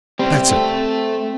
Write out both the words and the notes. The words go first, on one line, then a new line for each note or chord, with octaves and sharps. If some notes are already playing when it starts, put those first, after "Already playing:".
"That's it!"
C3 G3 C4
A3